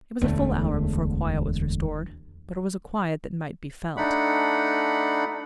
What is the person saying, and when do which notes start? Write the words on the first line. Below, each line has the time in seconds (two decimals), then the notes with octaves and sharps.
It was a full hour before quiet was restored . . . but it was a quiet that might be felt.
0.21 E1 D2 A3
3.97 A3 D4 D#4 F#5 B5